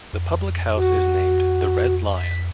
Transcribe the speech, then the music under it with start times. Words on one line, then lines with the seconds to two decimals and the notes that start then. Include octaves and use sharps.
The public house is named 'The Red Lion'.
0.13 F2
0.76 F#4
2.16 B6